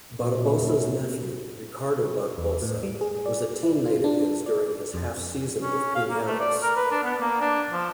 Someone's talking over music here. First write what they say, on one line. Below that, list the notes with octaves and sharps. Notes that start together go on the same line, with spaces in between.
Barbosa's nephew, Ricardo Barbosa, was a teammate of his during his half-season with Pinheiros.
F#2 A#2
E2
A2
G3
G#4
D5
E4
F4
D4
D5
F2
C#4
F5
A#3
A3
D5
A#4
B4
D4
B3
A#3
D4
F3